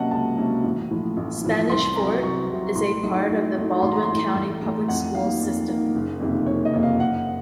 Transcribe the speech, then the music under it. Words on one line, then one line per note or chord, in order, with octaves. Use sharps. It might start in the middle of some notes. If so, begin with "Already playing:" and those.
Spanish Fort is a part of the Baldwin County Public Schools system.
Already playing: C3 F#3 A#3 C#4 D#5 F#5 A5
C#2 A5
C3 F#3 A#3 C#4
A1
A2 F3
A1
A2 F3
C2 C6
C3 F#3 A#5
C2 C#6
C3 F#3
A2 C6
F#3 A3 D#4
A2
F#3 A3 D#4
A1 C6
A#5
C6
A2 A3
A1
A2 A3
F2 F#5
D#3 A#3 F5
F2
D#3 A#3
F#1
F2 C3 D#3 A#3
F#1 C#5
D#5
F2 C3 D#3 A#3
F5
F#1 F#5